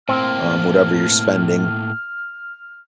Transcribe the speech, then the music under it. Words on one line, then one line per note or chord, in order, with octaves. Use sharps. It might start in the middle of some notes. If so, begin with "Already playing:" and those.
um, whatever you're spending,
A2 A#3 C4 F6